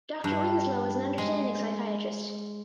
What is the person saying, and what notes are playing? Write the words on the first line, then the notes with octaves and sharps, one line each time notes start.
Doctor Winslow is an understanding psychiatrist.
G2
G#3